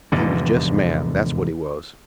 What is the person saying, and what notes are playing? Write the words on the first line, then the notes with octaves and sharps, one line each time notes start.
He was jest mad, that's what he was.
F1 E2 G#2 D3